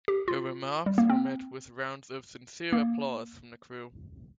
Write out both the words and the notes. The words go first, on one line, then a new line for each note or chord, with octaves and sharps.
Her remarks were met with rounds of sincere applause from the crew.
G4
F4
G3
A#3
C4
A#3